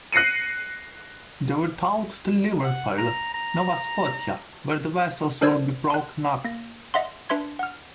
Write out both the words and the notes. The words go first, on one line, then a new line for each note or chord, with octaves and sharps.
They were towed to Liverpool, Nova Scotia where the vessels will be broken up.
F#6 A#6 C7 C#7 D#7
F#5
A#5
A#5
D4 A#4 C5 D5 E6 G#6
C6 F#6
A#3 A#6
D#5 E5 F#5 C6
D4 B4 E5 C6 G#6
F#5 F6